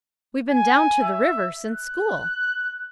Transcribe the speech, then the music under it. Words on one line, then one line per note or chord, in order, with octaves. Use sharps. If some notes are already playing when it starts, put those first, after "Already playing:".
"We've been down to the river since school."
G#5
E5
F#6